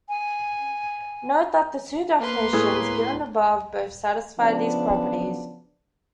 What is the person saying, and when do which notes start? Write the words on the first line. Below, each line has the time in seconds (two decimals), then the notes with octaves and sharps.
Note that the two definitions given above both satisfy these properties.
0.09 G#5
2.21 A#3 B4 C6
2.53 A2 B3 G#4 C#5
4.39 C#3 F3 B3 D4